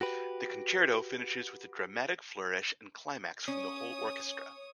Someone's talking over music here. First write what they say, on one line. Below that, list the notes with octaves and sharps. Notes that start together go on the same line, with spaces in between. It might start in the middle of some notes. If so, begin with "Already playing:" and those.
The concerto finishes with a dramatic flourish and climax from the whole orchestra.
F#4 G4 B4
C#4 C#5 D#6